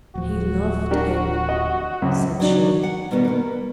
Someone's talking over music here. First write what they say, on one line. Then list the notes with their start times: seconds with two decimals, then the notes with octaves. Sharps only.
'He loved him,' said she.
0.15 D1 F3 F#4
0.91 D4 G4 A#4
1.49 D#5
2.02 C#2 C3 F#3
2.40 F#3 D4 D#4 F#4
2.83 F#5
3.11 B2 D#3 G3 B3
3.24 A#3 B3